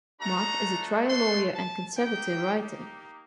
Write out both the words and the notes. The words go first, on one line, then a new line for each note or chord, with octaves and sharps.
Mark is a trial lawyer and conservative writer.
A3 D4 F#4 A#5
C6
A5
A#3 D#4 G4 G5